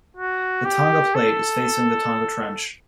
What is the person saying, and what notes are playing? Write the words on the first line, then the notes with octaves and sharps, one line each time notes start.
The Tonga Plate is facing the Tonga Trench.
F#4
G4
A4